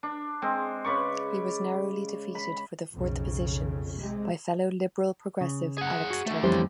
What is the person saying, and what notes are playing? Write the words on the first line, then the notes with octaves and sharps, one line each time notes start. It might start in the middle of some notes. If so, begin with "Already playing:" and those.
He was narrowly defeated for the fourth position by fellow Liberal-Progressive Alex Turk.
D4
G#3 C4
C#3 B4 D5 C#6
B5
B1 F2 C#3
C3 G#3
C#3
G#4 F#5
F#4
D3 A3
F2 E3 G3 C#4 C5